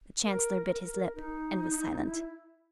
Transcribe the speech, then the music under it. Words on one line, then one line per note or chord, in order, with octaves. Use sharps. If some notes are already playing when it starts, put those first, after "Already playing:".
The Chancellor bit his lip, and was silent.
A#4
A#4
D#4
E4